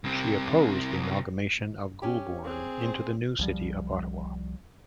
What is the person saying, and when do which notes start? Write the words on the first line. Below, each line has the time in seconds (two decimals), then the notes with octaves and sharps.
She opposed the amalgamation of Goulbourn into the new city of Ottawa.
0.04 C2 C3
2.02 C#4 G4
2.44 C4 G#4
2.81 C5
3.39 C2 F3 G3